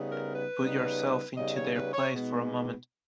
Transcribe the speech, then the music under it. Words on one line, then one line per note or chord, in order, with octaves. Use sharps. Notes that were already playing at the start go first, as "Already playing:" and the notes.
Put yourself into their place for a moment.
Already playing: C#3 G3 B3 D#4
A#4
B4
C#3 G3 B3 D#4
C#3 G3 B3 D#4 D#5
C#5
B4
C#5
B2 G#3 B3 D#4